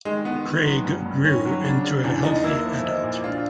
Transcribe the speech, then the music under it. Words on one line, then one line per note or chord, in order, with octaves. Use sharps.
Craig grew into a healthy adult.
D#3 G#3
D#3 B3
D#3
F#3
G2
G2
D#3 C#4
F#3
C#3 D4
C#3
E2 D4
E2 D#4
A#3 E4
F3
D#4
A#2
D4 F4